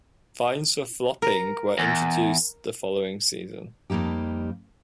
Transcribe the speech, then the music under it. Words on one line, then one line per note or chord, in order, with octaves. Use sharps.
Fines for flopping were introduced the following season.
A#4
E2
F2 G3 A#3 D#4 G4